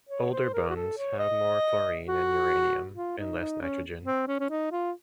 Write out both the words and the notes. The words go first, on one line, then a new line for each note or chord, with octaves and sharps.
Older bones have more fluorine and uranium and less nitrogen.
C#5
C5
A#4
F#4
A4
C#5
D#5
F#4
F4
D#4
D#4
C#4
C4
C#4
C#4
D#4
F4